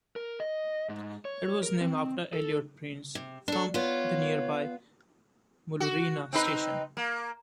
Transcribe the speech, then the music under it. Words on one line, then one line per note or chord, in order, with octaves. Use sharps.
It was named after Elliot Price, from the nearby Muloorina Station.
A#4
D#5
G#2
C#5
A#4
C4
A4
C3
D4 A4
B3 F4 C#5
F#4
C4 D#4 B4
A#3